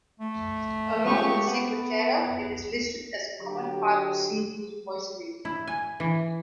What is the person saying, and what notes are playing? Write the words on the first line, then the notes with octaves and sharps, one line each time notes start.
Along with ciguatera, it is listed as a common type of seafood poisoning.
A3
G#3 C#4 F4 G4 C#6
B3 B4 F#5
D3 F#3 G4
E4
G#5
E3